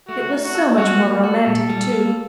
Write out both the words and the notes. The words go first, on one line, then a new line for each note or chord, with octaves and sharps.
It was so much more romantic, too.
A3 F#4
D#4
F#4
A4
G3 F#4
A#3
A4
F#4
A#2
G3
A#3